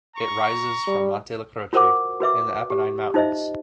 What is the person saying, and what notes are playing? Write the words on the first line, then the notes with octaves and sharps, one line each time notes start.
It rises from Monte la Croce in the Apennine Mountains.
A#5 C#6
G3
F4 F#4 A#4 C5 F#5 D6
F#4 B4 E5 D6
G4
D#4 F4 C5 D#5 E5